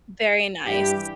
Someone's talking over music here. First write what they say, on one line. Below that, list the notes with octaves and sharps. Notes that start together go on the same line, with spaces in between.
Very nice.
G2 E3 G3 G4